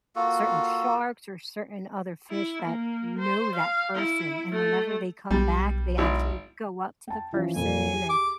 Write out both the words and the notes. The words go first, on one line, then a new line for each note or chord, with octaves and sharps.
certain sharks or certain other fish that know that person, and whenever they come back, they actually go up to the person and
A#3 F4 F#4 A4
E4
A#3
C5
F5
E4
A3
B1 G3
G#1 E4
G5 A5
E3 F3 C#4
F2 A#2 G#5
G4 G#4
D6